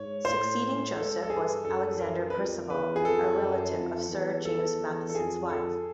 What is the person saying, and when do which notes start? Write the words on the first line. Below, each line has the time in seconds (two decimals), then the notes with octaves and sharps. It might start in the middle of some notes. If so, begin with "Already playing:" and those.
Succeeding Joseph was Alexander Percival, a relative of Sir James Matheson's wife.
Already playing: G#2 C#5
0.25 A2 C5
0.95 G#2 A4
1.23 A4
1.30 G2 G#4
1.65 F#2 A4
2.00 A#4
2.30 B4
2.34 F2 A#4
2.70 E2 B4
2.96 G#4
3.05 F2 A4
3.40 F#2
3.75 F2
4.10 E2
4.45 E2 A4
5.09 A4
5.15 F2 G#4
5.50 A4